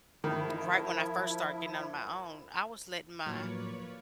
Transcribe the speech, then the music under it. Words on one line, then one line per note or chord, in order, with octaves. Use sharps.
right when I first started getting out on my own, I was letting my
D#3 F3 E4
A2 F3 F#3 A#3 F4 B4 C#5 D5